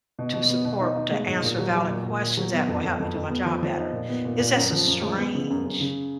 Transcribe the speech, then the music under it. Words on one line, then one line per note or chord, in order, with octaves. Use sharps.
to support, to answer valid questions that will help me do my job better." It's just a strange
B2
B2
B3
B2
D#4
D#4
G#3
G#2
A#2
F#3
F#3
A#2
A#2
A#2
F#3
B3
F2
F2
F2
F2
B3
F3
F3
D#4
A#2
B3
A#2
A#2
F#2
F3
F#2
G#3
B3
C#3
F#2
F#2
C#3